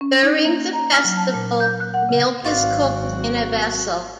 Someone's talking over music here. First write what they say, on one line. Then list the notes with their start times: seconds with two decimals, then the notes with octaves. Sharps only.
During the festival, milk is cooked in a vessel.
0.01 C#4
0.23 D#4
0.45 A#3
0.73 A#5
0.92 F6
1.05 F#3
1.17 A5
1.34 A#2
1.60 G6
1.80 F#6
1.94 F#5
2.09 C#3
2.44 G#1 F#3 C4 F4 F#4 D5 F5